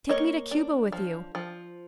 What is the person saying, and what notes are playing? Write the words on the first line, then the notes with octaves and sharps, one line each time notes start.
Take me to Cuba with you!
A#3 C#5 D#5
D4
F3
F3